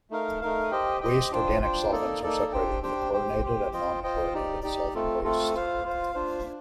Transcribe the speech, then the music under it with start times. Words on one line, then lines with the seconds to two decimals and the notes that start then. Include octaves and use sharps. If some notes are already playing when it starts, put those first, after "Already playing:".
Waste organic solvents are separated into chlorinated and non-chlorinated solvent waste.
0.10 A3 D#4 A#4 F5
0.41 A3 D#4 A#4 F5
0.71 G4 C5 D#5 G5
1.01 G4 C5 D#5 G5
1.32 D4 F4 C5 G5
1.62 D4 F4 C5 G5
1.91 A#3 D#4 A4 D5
2.23 A#3 D#4 A4 D5
2.53 D4 G4 C5 G5
2.83 D4 G4 C5 G5
3.13 G4 C5 G5
3.43 G4 C5 G5
3.73 F4 C5 D#5 G5
4.03 F4 C5 D#5 G5
4.34 D#4 G4 D5
4.63 D#4 G4 D5
4.94 A3 C4 F4 A4
5.24 A3 C4 F4 A4
5.55 F4 C5 F5
5.85 F4 C5 F5
6.15 D4 F4 C5
6.45 D4